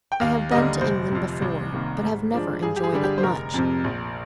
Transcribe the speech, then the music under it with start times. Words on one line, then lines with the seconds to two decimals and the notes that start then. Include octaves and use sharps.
I have been to England before, but have never enjoyed it much.
0.12 G5
0.21 D#2 F5
0.51 D3 G3 A#3 D#5
0.81 F1 C5
1.12 F2 C3
1.42 C2
1.72 C3 D#3 A#3
2.03 G#2
2.33 F3 G#3 D4
2.62 G2 G#4
2.76 G4
2.84 G#4
2.93 D3 G3 D4
3.03 G4
3.18 C5
3.23 F1 A#4
3.54 F2 C3
3.84 A#1